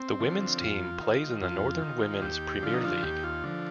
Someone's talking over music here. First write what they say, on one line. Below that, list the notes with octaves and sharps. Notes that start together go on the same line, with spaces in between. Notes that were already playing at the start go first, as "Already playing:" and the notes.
The women's team plays in the Northern Women's Premier League.
Already playing: C4
D3 F3
F2 F4
D#3
F2 F4
D#3
D#2 G4
D3 F3 F4
D#4
F4
D#2 G4
F4
D3 F3